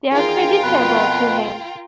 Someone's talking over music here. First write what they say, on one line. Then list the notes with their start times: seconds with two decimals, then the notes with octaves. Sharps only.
They are creditable to him.
0.11 E2 D#3 F4 G#4 A#4 G5
0.63 F2 B2 B4